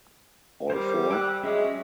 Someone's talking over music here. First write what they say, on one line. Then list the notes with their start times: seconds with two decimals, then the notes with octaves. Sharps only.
All four?
0.70 G3 A#4 C5
1.11 G5 E6 F#6
1.43 F#3 G#3 C#4 E5